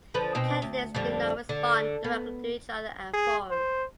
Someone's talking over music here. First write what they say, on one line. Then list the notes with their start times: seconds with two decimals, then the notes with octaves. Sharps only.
Candidates do not respond directly to each other at forums.
0.14 D3 F3 B4
0.35 B2 C4 D#4
0.62 D2
0.95 F2 D3 G3
1.49 D3
2.04 B3
3.14 G#4
3.51 C5